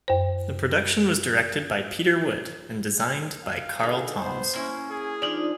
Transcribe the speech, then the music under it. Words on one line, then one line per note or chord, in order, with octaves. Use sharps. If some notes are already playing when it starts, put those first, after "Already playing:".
The production was directed by Peter Wood and designed by Carl Toms.
F#2 C5
F5
D3 D#4 G#4 E5
B3 C5
A#3 C#4 E4
G#4
F3 D4 D#4 F4 D5